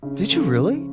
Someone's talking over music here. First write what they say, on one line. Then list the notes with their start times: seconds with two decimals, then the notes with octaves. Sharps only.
Did you really?
0.03 C#3
0.29 F3 A3 C#4
0.54 C#3